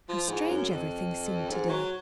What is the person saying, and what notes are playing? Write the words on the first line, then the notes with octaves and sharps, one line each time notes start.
How strange everything seemed to-day.
F3
G#2
F#2
F2
G#2
F#3